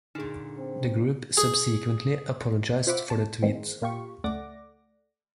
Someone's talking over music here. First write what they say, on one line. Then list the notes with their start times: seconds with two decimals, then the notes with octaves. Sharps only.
The group subsequently apologised for the tweet.
0.15 A#2 D3 D#4 G#4
0.58 C4
1.37 G#4
2.87 F4 C5 E5 F#5 B5 D6
3.10 A5
3.43 D#3 E3 G#3 A#3 C4
3.82 A#2 A#3 F4 G4 C#6
4.24 C#2 A3 D5 F#5 D6 A#6